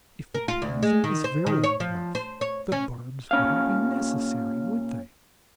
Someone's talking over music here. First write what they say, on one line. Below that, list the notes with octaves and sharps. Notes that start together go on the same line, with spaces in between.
If the poison is virulent enough, the barbs wouldn't be necessary, would they?
A#4
F4
D2
G#3
D#3
C5
D#3
C#5
F3
C5
C#5
C#4
A#2 C#4 F5